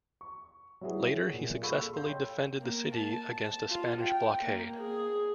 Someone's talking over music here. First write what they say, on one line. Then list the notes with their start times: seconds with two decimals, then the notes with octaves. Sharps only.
Later, he successfully defended the city against a Spanish blockade.
0.21 C#6
0.81 F#3 G3 E4 F#4 G#4 B4
1.33 A#2
1.62 G#4 A4 F5 B5 C#6 E6
1.94 C6 G6
2.08 C#5 G5
2.62 A#3
2.95 A5
3.33 A5
3.70 F4
4.01 G5
4.45 A#3
4.80 G#4